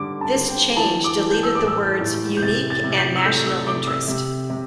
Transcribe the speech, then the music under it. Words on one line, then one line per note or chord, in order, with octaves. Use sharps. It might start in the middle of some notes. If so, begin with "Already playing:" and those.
This change deleted the words "unique" and "national interest".
Already playing: D3 G3 D6
A5
D3
G5
E3 A5
D6
E3
G6
E6
A2 D6
E6
A2
G6
C3 A6
A6
C3
A6
G6
E6
A3 G6
E6
C3 D6
E6
C3
C3